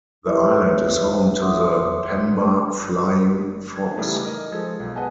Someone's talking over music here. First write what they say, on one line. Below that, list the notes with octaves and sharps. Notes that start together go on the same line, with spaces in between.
The island is home to the Pemba flying fox.
E4 G4 B4 C#5 E5
C#5 E5 F#5 C6 D6 D#6
G#6
C#3 E3 G3 A3 D#4
A#4 D#5
F3 G#3 G#4 A4 G#6
B1
G#4 B4 D#5 F#5 G#5 A5